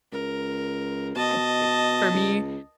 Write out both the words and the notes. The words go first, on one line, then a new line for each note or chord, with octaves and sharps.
I'd d for me
C#2 A#4
B2 D#5 A5
C#2